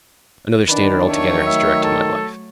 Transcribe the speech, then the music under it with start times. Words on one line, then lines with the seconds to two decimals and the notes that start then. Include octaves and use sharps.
Another standard altogether has directed my life....
0.69 D#3 D4 B4
1.09 F#3 A3 C#5
1.46 A3 E5
1.84 A4